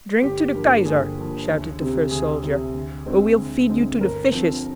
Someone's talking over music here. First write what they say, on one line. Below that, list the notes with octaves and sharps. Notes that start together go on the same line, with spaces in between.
Drink to the Kaiser!" shouted the first soldier, "or we'll feed you to the fishes!
G1 G4
G2 F3 A#3
G1 G#4
G2 F3 A#3
D2
C3 G3 C4
D2 G#4
C3 G3 C4
D2
D3 G#3 C4
D2
D3 G#3 C4
G1 A#4
G2 F3 C4